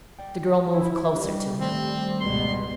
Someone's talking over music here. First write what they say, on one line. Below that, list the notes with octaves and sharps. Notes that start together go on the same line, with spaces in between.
The girl moved closer to him.
D5 G5
E4
G3 D4 D#5
D#3 A3 C4 A4
G#1 C#2 B2 C6